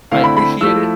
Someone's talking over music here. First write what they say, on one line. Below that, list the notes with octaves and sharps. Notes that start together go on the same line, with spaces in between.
I appreciate it,
D3 A3 C4 E4 F5
B5
B5
F3 A3 E4 E6